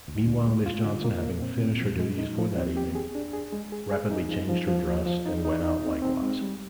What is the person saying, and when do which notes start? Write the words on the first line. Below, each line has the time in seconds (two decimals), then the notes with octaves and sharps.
Meanwhile, Miss Johnson, having finished her duties for that evening, rapidly changed her dress, and went out likewise.
0.08 D2
0.27 D2
0.47 G#3
0.66 F4
0.85 D3
1.04 A#3
1.23 A#2
1.42 C4
1.61 A#2
1.81 F3
1.99 G#3
2.18 D#4
2.39 F3
2.57 C4
2.77 G4
2.95 G#4
3.15 D4
3.33 G#4
3.52 G#3
3.72 G#4
3.91 G#4
4.11 D#4
4.29 F3
4.49 F3
4.68 F3
4.87 F3
5.06 F3
5.25 D#4
5.45 D#4
5.64 D#4
5.83 C4
6.02 C4
6.22 G#3
6.41 G3